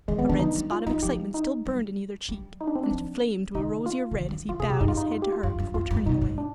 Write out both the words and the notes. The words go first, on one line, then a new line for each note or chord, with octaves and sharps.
A red spot of excitement still burned in either cheek, and it flamed to a rosier red as he bowed his head to her before turning away.
D#3 G#3
D#3 B3
D#3 D4
F3 D#4
G3
F4
G3 D#4
F3 G4
D#4
G3
G3
D#4
D4
C4
D4
F3
D3 D#4
F4
D3
D#3
G3
F3
D#3 F4
C3 G#4
B2 G4
G2 D#4
F4
D#4
F4
G4
F4
G2 F4
G2
F2 F4
G2
B2 D#4
G#2
D4